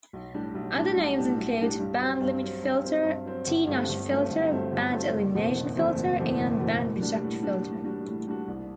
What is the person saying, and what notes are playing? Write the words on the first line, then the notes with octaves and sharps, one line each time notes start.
Other names include 'band limit filter', 'T-notch filter', 'band-elimination filter', and 'band-reject filter'.
B1
A2 G3 D4 G4
B1
A2 G3 D4 G4
B1
A2 G3 D4 G4
B1
A2 G3 D4 G4
G2
F#3 C4
G2
F#3 C4
G2
F#3 C4
G2
F#3 C4
G1
G2 F#3 A3 C4
G1
G2 F#3 A3 C4
G1
G2 F#3 A3 C4
G1
G2 F#3 A3 C4
F#1
E2 B2 A3 C4
F#1
E2 B2 A3 C4
F#1
E2 B2 A3 C4
F#1
E2 B2 A3 C4
A2
G3 D4 F#4
A2
G3 D4 F#4
A2
G3 D4 F#4
A2
G3 D4 F#4
C2